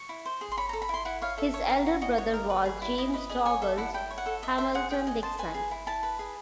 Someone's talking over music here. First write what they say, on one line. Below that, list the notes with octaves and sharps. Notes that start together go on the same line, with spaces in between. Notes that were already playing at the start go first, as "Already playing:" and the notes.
His elder brother was James Douglas Hamilton Dickson.
Already playing: C#6
E4
C5
G#4
C6
C#5 B5
A#5
A4
B5
E4 C6
E4 F#5
C#5 F5
A4 E5
C#5
A#4
F#4
F#4 D#5
C#5
A#4
B4
G#4
E4
E4 D#5
B4 D#5
G#4 D#5
C#5 G#5
A4 E5
E4 F#5
E4 G5
C#5
F#5
A4
D#5 E5
C5 E5
G#4 F#5
G#4 G5
D#5 G#5
C5 A5
B4 G#5
G#4
E4
E4 A5
B4
G#4